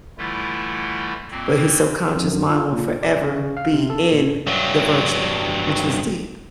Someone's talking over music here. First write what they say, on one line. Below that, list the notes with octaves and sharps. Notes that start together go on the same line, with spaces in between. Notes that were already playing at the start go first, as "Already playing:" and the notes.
but his subconscious mind will forever be in the virtual, which was deep.
D3 E3 G3 A3 E4 F4
F2 A#2 A#3 C4
F2
F#2
F4
A#2
D5
C#3
F5
C3
A4
A#2
G2 F#3